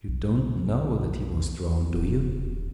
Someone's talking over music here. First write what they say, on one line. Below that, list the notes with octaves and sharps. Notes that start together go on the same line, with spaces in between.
You don't KNOW that he was drowned, do you?
B1
D#1